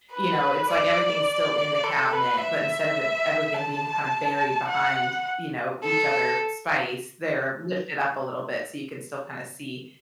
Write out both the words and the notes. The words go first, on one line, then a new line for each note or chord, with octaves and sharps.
you know, it's like everything's still in the cabinet, but instead of it everything being kind of buried behind, you know, each other spice, they're lifted up a little bit so you can still kinda see,
B4
D5
A4
B4
E5
A5
F#5
A4